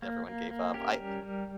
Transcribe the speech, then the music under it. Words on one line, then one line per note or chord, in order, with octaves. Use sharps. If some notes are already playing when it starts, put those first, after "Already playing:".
everyone gave up. I
A#3
A#3
A#3
C#4 G4 A#4
G3
G3